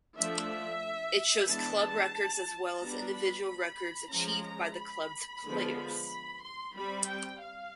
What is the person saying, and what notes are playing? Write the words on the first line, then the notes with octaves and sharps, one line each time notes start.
It shows club records as well as individual records achieved by the clubs players.
F3 A3 D4 E5
E3 G#3 B3 D4 A5
G3 B3 D4 A#5
B5
B5
F3 G#3 C#4 A#5
A#5
B5
D3 F3 G#3 B3
B5
C6
G3 C4 B5
G5
F5